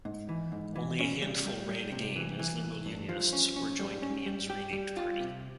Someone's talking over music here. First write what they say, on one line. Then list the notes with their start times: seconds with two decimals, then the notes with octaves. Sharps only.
Only a handful ran again as Liberal-Unionists or joined Meighen's renamed party.
0.05 G#2
0.29 E3
0.52 G#2
0.76 E3
0.99 C#4
1.22 G3
1.46 G3
1.69 G3
1.92 C3
2.16 E3
2.39 E3
2.63 C2
2.86 G2
3.09 F3
3.33 C#4
3.56 C#4
3.79 G3
4.02 C#4
4.26 G3
4.50 G4
4.73 G3
4.97 F4
5.20 C3